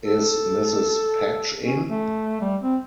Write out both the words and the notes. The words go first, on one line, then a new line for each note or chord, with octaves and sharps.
Is Mrs. Patch in?
A4
C#4
A3
G3
C4